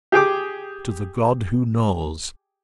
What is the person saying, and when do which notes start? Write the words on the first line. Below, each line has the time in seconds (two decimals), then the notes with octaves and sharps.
To the god who knows.
0.12 G4 G#4 G5 D6